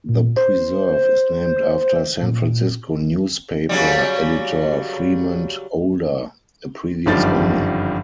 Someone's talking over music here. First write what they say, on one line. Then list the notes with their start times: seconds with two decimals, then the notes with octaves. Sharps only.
The preserve is named after San Francisco newspaper editor Fremont Older, a previous owner.
0.09 A#2
0.36 C5
2.22 A#2
3.69 C#3 F#3 G3
7.06 G1 F#2 D#3 F3 G3 A6